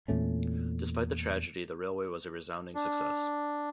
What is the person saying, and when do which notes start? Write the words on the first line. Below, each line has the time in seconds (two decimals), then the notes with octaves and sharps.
Despite the tragedy the railway was a resounding success.
0.08 E2 A#2 A3 C#4
2.75 D4